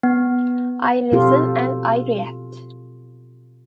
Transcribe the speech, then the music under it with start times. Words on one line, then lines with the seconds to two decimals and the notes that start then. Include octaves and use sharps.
I listen and I react.
0.03 B3
1.12 B2 C4 F4 G4 A4